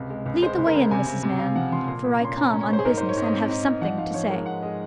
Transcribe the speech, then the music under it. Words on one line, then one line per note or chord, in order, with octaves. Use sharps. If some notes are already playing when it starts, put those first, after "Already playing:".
Lead the way in, Mrs. Mann, for I come on business, and have something to say.'
Already playing: C#2 C3
G#3
C#2
G#3 C5
C#2
A#4
C#3
C3 G#5
C3
C3
C3 F5
F3 F#5
F3 C6
A#2 C6
A#2
A#5
C#4 C6
C#4 A#5
C#4 A#5
C#5
C#4 C5
G#4
G#2 A#4
G#2 C5
C#5
G#2 D#5
C4
G#2
G#2
F3 F#5
G#2 F5
F3 C#5
G#3 A#4
G#2 F#5
G#3 D#5